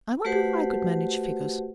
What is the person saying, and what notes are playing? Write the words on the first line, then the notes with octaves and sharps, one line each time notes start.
I wonder if I could manage figures.
A3 F#4 G4 B4 C5 F#5